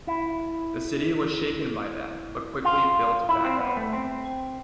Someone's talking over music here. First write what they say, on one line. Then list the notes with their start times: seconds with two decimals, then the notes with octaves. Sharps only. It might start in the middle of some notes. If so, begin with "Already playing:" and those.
The city was shaken by that, but quickly built back up.
0.07 E4
2.64 F4
3.29 E4
3.45 C4
3.60 B3
3.77 A3
3.93 C4